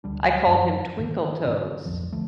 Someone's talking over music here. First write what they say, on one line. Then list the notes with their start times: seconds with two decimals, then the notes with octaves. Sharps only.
I called him Twinkle Toes,
0.04 D2 G3 D4
0.46 F#2
0.99 G#2 D#3 E3
1.45 G#2 D3 C4 C#4
1.86 B1 F2 F3
2.12 D3 F3 A3